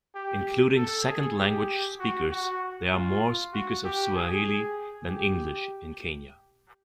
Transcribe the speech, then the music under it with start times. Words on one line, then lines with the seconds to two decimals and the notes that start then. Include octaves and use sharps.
Including second-language speakers, there are more speakers of Swahili than English in Kenya.
0.15 G4
0.76 A4
1.07 G#4
1.38 G4
1.99 F#4
2.30 F#4
2.92 F4
3.53 F#4
3.84 G4
4.15 G#4
5.08 G4